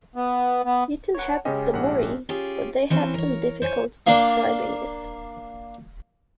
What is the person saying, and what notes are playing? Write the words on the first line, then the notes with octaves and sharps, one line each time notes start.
It inhabits the Murray; but ... they have some difficulty describing it.
B3
B3
C#5 F#5
C#3 G#3 C#4 G4 D#5
A#1 G#2 F#5
C#4 F4 G4 G#4
E3 C4 C#4
A#4 C#5
C5 C#5 G#5
A#3 D4